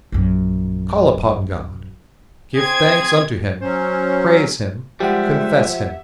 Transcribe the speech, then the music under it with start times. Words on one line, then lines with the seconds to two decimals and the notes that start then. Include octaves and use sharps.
Call upon God, give thanks unto Him, praise Him, confess Him.
0.12 A#1 F#2
2.55 C4 G#4 G#6
3.61 F#3 C#4 C5
5.00 F3 G3 G#3 G4 E5 F#5